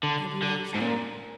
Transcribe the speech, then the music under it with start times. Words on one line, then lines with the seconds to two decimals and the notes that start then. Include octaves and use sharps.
"Have you asked her?"
0.03 D3
0.42 D3
0.75 G#2
0.81 A#2